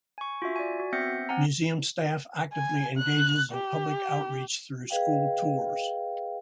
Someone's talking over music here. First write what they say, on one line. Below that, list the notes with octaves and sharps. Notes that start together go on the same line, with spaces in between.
Museum staff actively engages in public outreach through school tours.
G#5 C#6
F4 F#4 E5
D5 G#5
F#4
B3 C4 E5 G6 A#6 C#7
C4 F#5 G#5 A#5
G#5
F#6
G4
G#4 B4 D#5 F5 G5